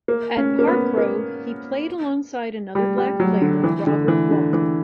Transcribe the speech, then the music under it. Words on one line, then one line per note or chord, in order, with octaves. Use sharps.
At Parkgrove he played alongside another black player, Robert Walker.
A#3
C#4
A#3
B3
A#3
G3
G3
F#3
D3
E3
D3
E3
D3
E3